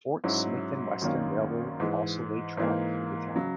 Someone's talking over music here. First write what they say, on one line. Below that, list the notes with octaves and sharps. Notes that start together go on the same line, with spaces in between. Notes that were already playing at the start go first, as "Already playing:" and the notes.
Fort Smith and Western Railroad also laid track through the town.
G#2 F#3 C#4 E4
G#1 F#2 D#3 A#3 C#4
G#2 E3 G#3
G#2 E3 A#3
C#3 F#3